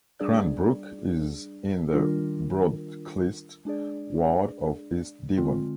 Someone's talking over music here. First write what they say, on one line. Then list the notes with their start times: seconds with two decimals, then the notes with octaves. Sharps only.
Cranbrook is in the Broadclyst ward of East Devon.
0.20 G3 D4 G#4 D5
1.92 D#3 G3 D4 F4 A#4
3.65 G#3 D4 G#4 D5
5.37 D3 G#3 C4 F4